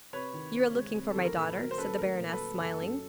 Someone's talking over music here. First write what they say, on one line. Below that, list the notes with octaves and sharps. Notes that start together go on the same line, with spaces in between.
"You are looking for my daughter?" said the baroness, smiling.
C3 B4 C#5
D#3
C4
G#3
C3
A4
D#3
A#4
A#2 A4 B4
F#3 A#4
C5
C#4 A4 B4
A3 A#4
A#2
A4 B4
F#3
F#1 A4
F#2